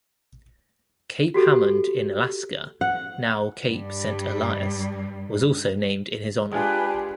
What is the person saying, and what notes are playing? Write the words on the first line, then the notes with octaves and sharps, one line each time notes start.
Cape Hamond in Alaska, now Cape Saint Elias, was also named in his honour.
F#4 G4 A4
F#5
G2 G3
G#3 D4 F4 G4 B4 G#5